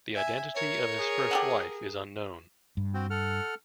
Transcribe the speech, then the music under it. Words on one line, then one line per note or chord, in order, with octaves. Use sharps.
The identity of his first wife is unknown.
E5 G#5
A#4 C#5
G#4
G4 A4 F#5
G2
C4 F#4 G5
A4 F#5 F6